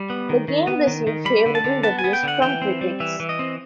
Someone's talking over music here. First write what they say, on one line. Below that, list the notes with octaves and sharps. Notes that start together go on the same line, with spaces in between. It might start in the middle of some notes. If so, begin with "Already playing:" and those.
The game received favourable reviews from critics.
Already playing: G3
B3
D#3
D#3
B3
D#3
D#3
G3 B5
D3
A5
D3
B3 A5
G#5
B3
G5
D3 F#5
E3 G5
C4
G3
E3 E5
E3
D#5
C4